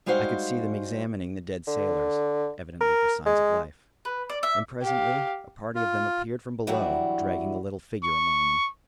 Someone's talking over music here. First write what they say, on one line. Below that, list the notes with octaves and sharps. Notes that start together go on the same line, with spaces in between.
I could see them examining the dead sailors, evidently for signs of life, and presently a party of them appeared from below dragging a little figure among them.
G3 G#3 D#4 F#4 C5 F5
D3
A#4
G#3
B4
D5
E5
G4 F5
F4
E3 F#3 G3 D4 E4 F#4
C#6